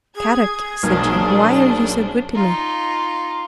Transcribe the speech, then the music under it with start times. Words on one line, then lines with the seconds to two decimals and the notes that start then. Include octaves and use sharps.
"Kadok," said Jean, "why are you so good to me?"
0.16 G#4 G#6
0.83 B1 A#3 C#4 D4 C5 G#6
2.33 D#4 F4